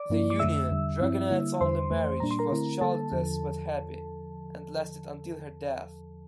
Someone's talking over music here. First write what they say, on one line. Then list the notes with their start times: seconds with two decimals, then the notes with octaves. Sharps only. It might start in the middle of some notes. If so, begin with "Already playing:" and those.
The union, Dragonette's only marriage, was childless but happy, and lasted until her death.
Already playing: D5 D6
0.10 G2 F3 A#3 E4
0.30 D6
0.39 F2 D3 A3 E5 E6
0.71 E2 D3 G3
1.00 G2 F3 C4 E4
1.30 D3 G3 A#3 E4
1.61 E2 D3 G3 C5 C6
1.91 F2 E3 A3
2.20 A#2 G3 A#3 D4 A#5
2.31 C6
2.39 A#4 A#5
2.51 D3 A3 C4 E4
2.81 D3 G3 A#3 A4 A5
3.12 E2 D3 F3